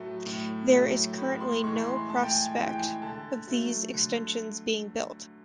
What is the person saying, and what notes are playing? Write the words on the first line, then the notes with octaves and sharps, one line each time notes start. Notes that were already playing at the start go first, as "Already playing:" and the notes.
There is currently no prospect of these extensions being built.
Already playing: A2 F#3 A3
A2
F#3 A3
A2 B5
C6
E3 G#3 C#6
B5
C6
A2 A5
G5
G#5
E3 G#3 G5
G5
G#5
D3 A5
F#3 A3
D3